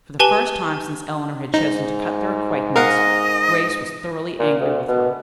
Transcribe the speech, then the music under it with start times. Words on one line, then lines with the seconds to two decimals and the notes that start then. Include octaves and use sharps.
For the first time since Eleanor had chosen to cut their acquaintance Grace was thoroughly angry with her.
0.20 G4 B4 G#5 A5 G7
1.54 G#2 D#4
2.76 A#4 D#5 F5 F#5
4.39 A#2
4.60 D2
4.88 B2